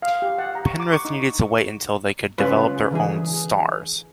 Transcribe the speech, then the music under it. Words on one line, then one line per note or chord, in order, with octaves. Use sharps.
Penrith needed to wait until they could develop their own 'stars'.
F5
G4
F#5
A#5
C#6
D6
C#6
D#4
C#3 G#3 C#4 F4 B4
D3 E3 G#3 G#4